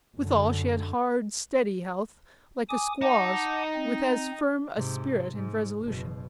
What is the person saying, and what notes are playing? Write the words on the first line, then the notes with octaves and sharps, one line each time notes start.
Withal she had hard, steady health like a squaw's, with as firm a spirit and resolution.
F#2 D3
G#5 D6 D#6
D#4 F#5 A5 D6
C4
G#2 C3
G#2
F#1 B2